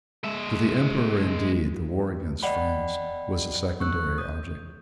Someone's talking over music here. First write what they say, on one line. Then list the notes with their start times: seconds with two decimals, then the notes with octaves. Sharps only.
To the Emperor indeed the war against France was a secondary object.
0.24 G#3 E5
2.43 D5 D#5 F#5 G5 B5
3.80 C#6 E6 F#6
4.18 D#6 G6